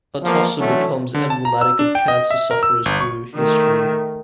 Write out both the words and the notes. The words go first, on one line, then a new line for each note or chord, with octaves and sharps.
Atossa becomes emblematic of cancer sufferers through history.
E2 F3 A#3
D3 E3 F#3 A3 C#4
D3
A5
A#5
E6
D4
G5
D#5
E5
A#4
E6
G1
C#6
D#3 A3